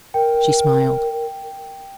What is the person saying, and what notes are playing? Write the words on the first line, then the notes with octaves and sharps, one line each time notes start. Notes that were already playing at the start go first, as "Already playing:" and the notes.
She smiled.
A#4 G5